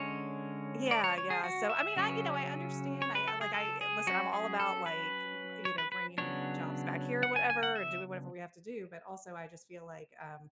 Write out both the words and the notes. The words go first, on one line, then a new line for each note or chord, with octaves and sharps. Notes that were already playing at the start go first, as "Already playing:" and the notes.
Yeah, yeah. So, I mean, I, you know I understand. I I, like I listen, I'm all about, like, you know, bringing jobs back here or whatever and doing whatever we have to do, but also, I just feel like, um,
Already playing: D3 G#3 C#4 C#5
D5
C#5
C#5
G#4
F#4
E5
C#3 F#3 C#4
C#5
B4
A4
G#4
A4
G#4
F#3 C#4 F#4
G#4
A4
B4
C#5
B4
B4
C#3 F#3 B3 D4 C#5
F#5
G#5
G#5
F#5
E5